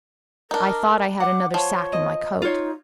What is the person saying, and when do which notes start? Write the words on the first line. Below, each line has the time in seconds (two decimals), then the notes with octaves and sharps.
I thought I had another sack in my coat.
0.51 D4 D#4 A#4
1.20 F#5 D6
1.54 F3 C#5
1.93 D#5
2.42 D#4 F4 C#5